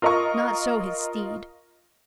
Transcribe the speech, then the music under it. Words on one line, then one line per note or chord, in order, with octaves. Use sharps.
Not so his steed.
F4 A#4 D#5 A#5 C#6